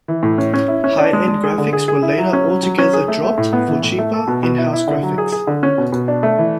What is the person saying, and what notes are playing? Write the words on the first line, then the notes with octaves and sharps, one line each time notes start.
High end graphics were later altogether dropped for cheaper, in-house graphics.
E3
A2
C#4
C#4
E4
C#4
D4
G#3
G#3
G#4
D3
G#4
G#4
E4
F#3
C#4
F#3
F#3
C#4
G#4
A3
A3
A2
B3
E3
A2
A3
A4
B2
B2
E4
E4
D3
F#3
G#4
G#4
D3
C#4
B2
B2
D4
A3
E3